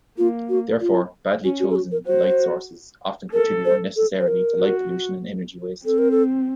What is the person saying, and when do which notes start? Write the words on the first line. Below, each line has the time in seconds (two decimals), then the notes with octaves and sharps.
Therefore, badly chosen light sources often contribute unnecessarily to light pollution and energy waste.
0.18 A#3 F4
0.49 F#4
0.81 F4
1.44 C#4 F#4
1.60 F#4
1.70 A4
1.76 F#4
1.92 A#4
2.07 F#4 C5
3.33 A4 A#4
3.65 C5
3.97 A4
4.20 C5
4.28 A#4
4.60 F#4
5.85 C4 A4
5.98 A#4
6.11 A4